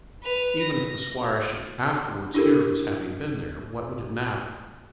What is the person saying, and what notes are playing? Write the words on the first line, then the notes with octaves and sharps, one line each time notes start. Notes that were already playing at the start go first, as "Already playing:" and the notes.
Even if the squire should afterwards hear of his having been there, what would it matter?
B4 F7
A#6
D4 E4 G4 A4 A#4